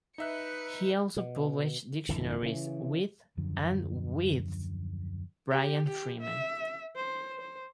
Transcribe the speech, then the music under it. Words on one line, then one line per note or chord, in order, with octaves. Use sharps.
He also published dictionaries with and with Bryant Freeman.
D#4 B4 E5 F#6 C#7
B2
G#1 F2 D3 E3
C#3 E3
D#1 F#2 D3 F3
G4
G4
E5
C5
C5